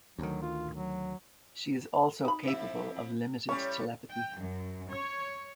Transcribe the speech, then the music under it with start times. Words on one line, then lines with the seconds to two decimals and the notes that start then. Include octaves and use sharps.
She is also capable of limited telepathy.
0.18 D2 D#3 F#3
0.42 F4
0.75 F#3
2.25 D#4 B5
2.43 F2 E4 E5
3.49 A2 G3 C#4 C#5
4.10 G5
4.38 F#2
4.90 C#5